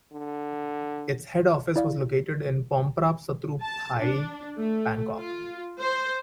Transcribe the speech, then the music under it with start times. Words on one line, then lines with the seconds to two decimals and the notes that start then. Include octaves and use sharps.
Its head office was located in Pom Prap Sattru Phai, Bangkok.
0.13 D3
1.76 E4 D5 F5
3.62 A5
4.00 D4
4.57 A3
5.19 F4
5.81 C5